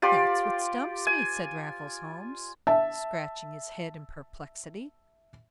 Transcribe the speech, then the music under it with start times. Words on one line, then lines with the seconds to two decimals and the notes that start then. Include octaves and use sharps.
"That's what stumps me," said Raffles Holmes, scratching his head in perplexity.
0.02 F4 G4 C5 D5
1.07 G#5
2.67 E5 A5